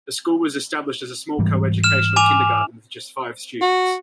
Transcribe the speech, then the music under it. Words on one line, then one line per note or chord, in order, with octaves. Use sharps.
The school was established as a small co-educational Kindergarten with just five students.
G#2 E3 G3
F6 E7
G#5 D6 F7
F#4